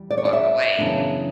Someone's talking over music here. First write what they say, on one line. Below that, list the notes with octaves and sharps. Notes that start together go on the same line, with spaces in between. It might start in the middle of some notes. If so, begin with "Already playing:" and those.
walk away.
Already playing: E2 G3
D5
C#5
D5
E5
F#2 C#3 E3 B3 D4